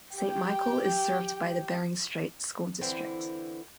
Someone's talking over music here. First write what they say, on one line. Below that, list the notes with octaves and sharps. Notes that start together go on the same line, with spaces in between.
Saint Michael is served by the Bering Strait School District.
G4 G5
D3 E3 C4 E4